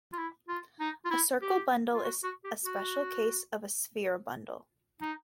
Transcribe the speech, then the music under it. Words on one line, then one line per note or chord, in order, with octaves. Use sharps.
A circle bundle is a special case of a sphere bundle.
F4
E4
F4
D#4
F4
E4
G4
F4
F#4
F#4
G4
F#4
D#4